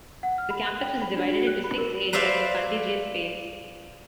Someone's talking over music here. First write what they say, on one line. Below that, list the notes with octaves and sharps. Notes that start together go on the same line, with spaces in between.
The campus was divided into six areas of contiguous space.
F#5
F6
B5
F#6
G5
B5
D4
F#4
F#6
B5
A#4
B4 C5 D5 E5 F5